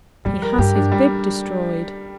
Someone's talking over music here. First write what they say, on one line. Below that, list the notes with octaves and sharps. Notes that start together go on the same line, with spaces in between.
He has his bib destroyed.
F2 G3
A#4
G2 G4
D4
G3